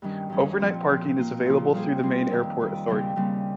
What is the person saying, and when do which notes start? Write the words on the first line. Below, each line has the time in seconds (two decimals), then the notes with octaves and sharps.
Overnight parking is available through the main airport authority.
0.02 G2 D#3 G3 C#4
0.29 G2 D#3 G3 C#4
0.60 A#2 F3 C4
0.88 A#2 F3 C4
1.17 A#2 F3 A#3 F4
1.46 A#2 F3 A#3 F4
1.74 G3 C4 F4 G#4 C5
2.02 G3 C4 F4 G#4 C5
2.31 F2 D#3 G3
2.60 F2 D#3 G3
2.88 D#2 C#3 G3 C4
3.16 D#2 C#3 G3 C4